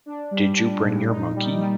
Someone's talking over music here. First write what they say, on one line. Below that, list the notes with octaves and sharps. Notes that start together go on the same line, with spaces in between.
Did you bring your monkey?
D4
G3
D4
A#2
D#4
G3
G3